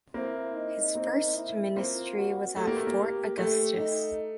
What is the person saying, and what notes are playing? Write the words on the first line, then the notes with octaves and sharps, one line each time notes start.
His first ministry was at Fort Augustus.
A#3 C4 E4
D#4
A#3 C4
E4
A#3 C4 F4
F#4
A3 G4
A#3
A3
A#3
A3 G4
D#4